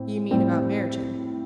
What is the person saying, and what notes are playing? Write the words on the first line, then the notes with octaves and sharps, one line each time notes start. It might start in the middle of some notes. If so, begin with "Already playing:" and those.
"You mean about Merton?"
Already playing: A2 C4
A2 G3 C4